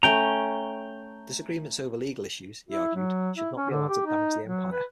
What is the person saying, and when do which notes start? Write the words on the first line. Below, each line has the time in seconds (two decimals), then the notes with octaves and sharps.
Disagreements over legal issues, he argued, should not be allowed to damage the empire.
0.03 A3 C#4 G5 A#5
2.69 E4
2.95 F#3
3.36 E4
3.57 C#4
3.70 D3
3.89 G4
4.06 D#4
4.46 F#3
4.71 B4